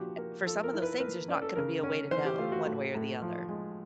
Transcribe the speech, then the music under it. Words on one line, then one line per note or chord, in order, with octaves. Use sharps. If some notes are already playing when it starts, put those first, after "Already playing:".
eh, for some of those things, there's not gonna be a way to know one way or the other.
Already playing: A#2 F3 D4 F#4 G4
A#3
F3 A4
A#4
E4
B4
A#3 B4
C#4 D5
A4
C#3 A#4
C#4
E3 C5
G4
A3 F4
F#4
A2
A2
F3
G#3